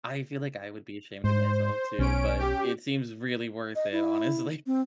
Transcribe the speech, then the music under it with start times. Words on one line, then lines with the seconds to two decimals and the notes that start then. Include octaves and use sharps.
I feel like I would be ashamed of myself too, but it seems really worth it, honestly.
1.24 G#2 C5
1.99 B1 C#4 D7
2.39 G4
3.75 D#5
3.92 E4
4.66 C4